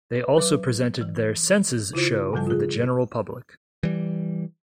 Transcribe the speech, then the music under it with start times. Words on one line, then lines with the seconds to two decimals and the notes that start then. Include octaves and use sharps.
They also presented their Senses show for the general public.
0.15 B4
0.38 F#3 B4 D6
1.01 E3
1.93 C#3 E4 F4 C5
2.33 G2 C#3 F3 G3 A4 A5
2.47 F4 G#4
3.83 E3 G3